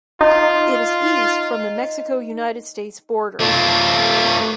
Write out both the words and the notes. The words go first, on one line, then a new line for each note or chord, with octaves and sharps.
It is east from the Mexico-United States border.
D#4 F4
A3 F4